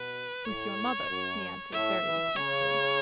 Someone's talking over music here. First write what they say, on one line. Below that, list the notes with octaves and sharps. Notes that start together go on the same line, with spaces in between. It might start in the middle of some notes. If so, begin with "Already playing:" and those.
"With your mother," he answered very respectfully.
Already playing: B2 B4
A2 C#5
F#2
A2 E5
E3
C#3 C#5